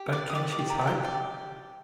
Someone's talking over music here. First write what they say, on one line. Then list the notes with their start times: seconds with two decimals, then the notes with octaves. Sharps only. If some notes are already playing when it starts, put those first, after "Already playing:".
But Can She Type?
Already playing: G4
0.13 D5 D6
0.30 D#6
0.35 D5 D6
0.52 D6
0.59 G4
0.70 A#5
0.81 G4
0.87 G5
1.04 D5 G5